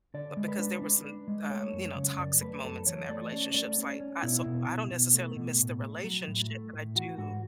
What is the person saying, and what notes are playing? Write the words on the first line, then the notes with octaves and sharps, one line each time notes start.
but because there were some, um, you know, toxic moments in that relationship. So, I I, so I don't necessarily miss the relationship, but I do
D3 D5
G#3
B4
D4
D4
D4
G#3
A3 C#5
F#2
C#3
F#2 D5
A3 B4
F#2 A4
E3 C#5
A3 D5
C#4 D5
A3 D5
C#4
C#4
B2 E4
B2
B2
B2
A3
B2
A2
A3
F#3
A2
A3
A2
E3 F#4
G#2 F#4